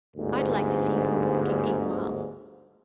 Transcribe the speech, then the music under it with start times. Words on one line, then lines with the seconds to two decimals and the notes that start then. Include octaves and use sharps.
I'd like to see her walking eight miles.
0.16 G1 D2 G#2